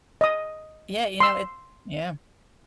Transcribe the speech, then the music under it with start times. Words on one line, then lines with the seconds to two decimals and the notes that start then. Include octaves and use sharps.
Yeah, you know, it yeah.
0.21 D#5 D#6
1.20 C6 E6